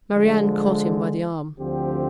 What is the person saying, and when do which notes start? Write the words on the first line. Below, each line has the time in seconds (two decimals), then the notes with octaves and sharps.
Marie-Anne caught him by the arm.
0.13 D3 F3 G#3
1.58 D2 D3 F3 C4 G4